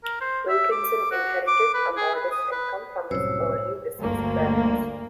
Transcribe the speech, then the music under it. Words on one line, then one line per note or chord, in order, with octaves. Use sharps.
Wilkinson inherited a modest income from his early-deceased parents.
A#4
C5
E5
D6
F#4
D6
B4
G#4
B4
D#6
B4
C2 F#2 A2 C5 C#5 E6
G1 D2 A#3